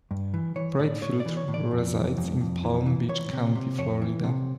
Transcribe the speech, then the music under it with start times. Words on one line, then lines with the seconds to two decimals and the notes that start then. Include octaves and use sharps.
Brightfield resides in Palm Beach County, Florida.
0.11 G2
0.34 E3
0.56 E3 C#5
0.79 A2 D5
1.02 A2 C#5
1.20 D5
1.26 E3
1.37 C#5
1.48 A2
1.54 D5
1.71 F2
1.95 E3
2.17 F2
2.41 F2
2.64 E3
2.86 E3
3.09 E3 C#5
3.33 C3
3.55 C3
3.78 F2 C#5
4.02 E3
4.24 C3